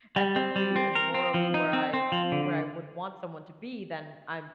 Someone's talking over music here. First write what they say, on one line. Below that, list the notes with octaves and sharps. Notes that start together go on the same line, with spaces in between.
ethically and morally where I, where I would want someone to be, then I'm
G3
C4
G3
C4
A#4
C4
F3
D#4
C4
C4
F3
D3